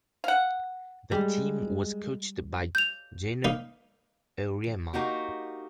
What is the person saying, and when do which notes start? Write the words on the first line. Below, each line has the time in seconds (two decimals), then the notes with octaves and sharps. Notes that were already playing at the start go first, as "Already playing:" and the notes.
The team was coached by Geno Auriemma.
0.24 F5 F#5
1.12 G3 G#3
2.75 G6 F7
3.45 A#3 D#4
4.93 A#3 D#4 F#4 G4